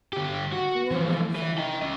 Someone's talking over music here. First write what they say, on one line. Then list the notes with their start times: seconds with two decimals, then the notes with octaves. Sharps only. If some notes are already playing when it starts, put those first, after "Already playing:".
Poor little fellow!
0.13 D3 G4
0.52 F#4
0.91 E3 F3
1.36 E4 B4
1.58 D#5 G5
1.82 C#4 D#5